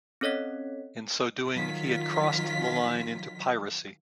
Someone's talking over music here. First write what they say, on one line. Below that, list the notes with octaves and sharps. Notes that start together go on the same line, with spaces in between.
In so doing, he had crossed the line into piracy.
C4 C#4 A4 C#5 D#5 B6
D#3 F#3 F4 B6